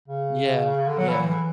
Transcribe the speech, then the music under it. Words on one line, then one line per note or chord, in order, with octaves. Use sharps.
Yeah, yeah.
C#3
D3
F#3
E3
E3